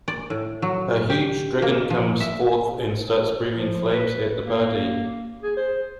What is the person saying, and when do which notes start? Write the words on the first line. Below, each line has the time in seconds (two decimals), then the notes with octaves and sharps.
A huge dragon comes forth and starts breathing flames at the party.
0.08 D5
0.30 A2
0.62 F#3
1.10 G4
1.62 A#3
1.90 F3
2.20 E5
3.53 F3
3.94 B4
4.45 A#3
5.43 G#4
5.57 C5